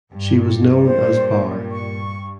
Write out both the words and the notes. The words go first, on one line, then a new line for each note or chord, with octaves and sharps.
She was known as "Bar".
G2
A#2 C5
C#6